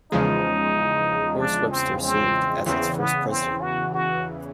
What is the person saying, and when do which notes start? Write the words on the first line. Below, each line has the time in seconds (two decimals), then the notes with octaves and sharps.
Horace Webster served as its first president.
0.12 E2 C#3 F3 G#3 D#4
1.39 D4
1.71 C4
2.02 C4
2.66 E2 C#3 E3 C4
2.98 B3
3.30 C4
3.61 F#4
3.94 F#4